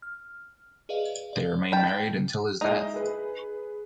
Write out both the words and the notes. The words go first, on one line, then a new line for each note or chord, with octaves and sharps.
They remained married until his death.
F6
G#4 B4 D5 D#5 F5
C5 D5
G5 A5 B5
G#3 D#4 E4 D#5
G#4 B4